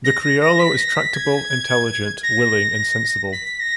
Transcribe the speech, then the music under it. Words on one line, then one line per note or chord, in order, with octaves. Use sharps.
The criollo is tractable, intelligent, willing and sensible.
A#6
A#6
A#6
B6
A#6
B6
G#6
A#6
B6
A#6